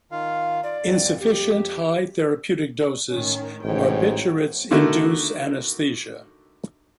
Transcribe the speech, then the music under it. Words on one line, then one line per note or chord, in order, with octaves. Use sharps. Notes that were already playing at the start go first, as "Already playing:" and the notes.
In sufficiently high therapeutic doses, barbiturates induce anesthesia.
D#3 F4 F5
F4 D5
F2 G#2
F2 G4
A2 D#3 C#4
A1 G#2 C#5 G5
D3 D#3 A3 D#4 E4 F#4